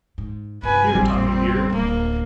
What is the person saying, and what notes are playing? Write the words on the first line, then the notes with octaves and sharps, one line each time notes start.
Here, Tommy, dear.'
G#2
G1 C3 B4 G#5
A1 F2 G3 C4
D1 A#3